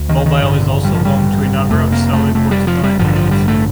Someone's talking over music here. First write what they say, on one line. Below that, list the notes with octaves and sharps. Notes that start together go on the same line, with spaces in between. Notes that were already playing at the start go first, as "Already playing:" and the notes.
Mobile is also home to a number of solid-waste landfills.
Already playing: D2
D#3
D#3
A1 G2 D3 D#3
G3
F3
G3
F1 F2 C3 A3
A#3
A3
A3
G3
F3
G3
A1 G2 D3 F3
F3
G3
A3